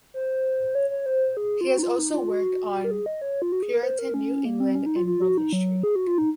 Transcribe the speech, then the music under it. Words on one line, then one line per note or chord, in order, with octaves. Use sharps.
He has also worked on Puritan New England and World History.
C5
C#5
C#5
C5
G#4
F4
F#4
D#4
F4
D#4
F4
F#4
A#4
G#4
D#5
C#5
F4
F#4
G#4
A#4
C5
A#4
C#4
A#3
C4
C#4
D#4
F4
F4
F#4
D#4
F#3
G#4
F#4
F4
D#4